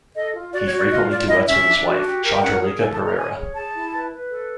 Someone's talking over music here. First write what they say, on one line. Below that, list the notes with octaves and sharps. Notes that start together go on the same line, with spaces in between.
He frequently duets with his wife Chandralekha Perera.
A4 D#5
F4
F#4 D5
C#5
F#4
D5
F4 D#5
F4 D5
E4 D#5
C#4 E5
D4
F#4
G4
A#4
G5
C#4 F#5
G#4
A4 G#5
A5
A4
A#5
C#5 G#5
G#4
G#4 A5
E4
B4
B4
A4